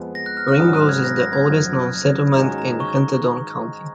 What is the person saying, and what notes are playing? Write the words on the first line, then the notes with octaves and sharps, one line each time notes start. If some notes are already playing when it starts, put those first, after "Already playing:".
Ringoes is the oldest known settlement in Hunterdon County.
Already playing: F2 F3 G#3 B3
A#6
F#6
F6
F6
G#1 G#2 F#3 C#4 D#6
F#6
G#6
A#6
A#6
G#6
F#1 F#2 F3
G#2 D#3 G#3 C#4 F#4 A#5
A#5
C#6